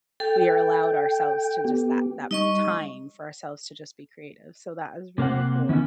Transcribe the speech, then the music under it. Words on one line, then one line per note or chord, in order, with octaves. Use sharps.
We are allowed ourselves to just that that time for ourselves to just be creative, so that is really cool.
A4 G5
B3 G4
G3 D#4 D#5 C#6
C3 A#3 C4 F#5
D#3 E3 B3 C#4